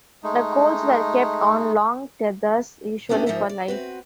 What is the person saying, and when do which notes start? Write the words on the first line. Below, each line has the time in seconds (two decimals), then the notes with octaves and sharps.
The colts were kept on long tethers, usually for life.
0.23 G#3 A3 D#4
3.09 A2 B3 C#4 D4 G4
3.26 G#2 F3 D#4 F4 A#4 E5
3.49 D5
3.68 C4 F#4 B4